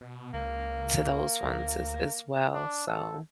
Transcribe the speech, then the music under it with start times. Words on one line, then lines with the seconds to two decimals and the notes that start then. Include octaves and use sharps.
to those ones as as well, so
0.01 B2
0.34 C#2 A#3
1.43 D2
2.54 D4
2.87 A4